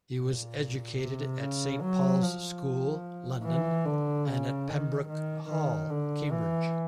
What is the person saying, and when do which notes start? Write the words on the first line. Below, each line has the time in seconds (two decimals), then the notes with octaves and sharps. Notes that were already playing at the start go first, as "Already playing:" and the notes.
He was educated at Saint Paul's School, London, and at Pembroke Hall, Cambridge.
0.18 A#2
0.99 C3
1.40 C#3
1.81 F#3
2.23 F3
3.44 E3
3.85 D3
4.27 C#3
4.69 D#3
5.09 D#3
5.50 D#3
5.90 D3
6.32 E3